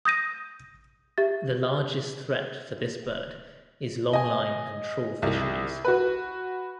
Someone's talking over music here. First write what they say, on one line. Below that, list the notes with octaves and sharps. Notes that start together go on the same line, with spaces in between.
The largest threat for this bird is longline and trawl fisheries.
D#6 G6 A#6 D#7
G4 E5 A6
D#5 G#5
C2
F#4 B4